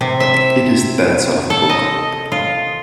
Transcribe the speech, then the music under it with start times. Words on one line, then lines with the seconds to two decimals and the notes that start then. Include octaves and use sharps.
"It is that sort of book.".
0.01 C3
0.20 E5
1.50 A4
1.69 D#5
2.32 F4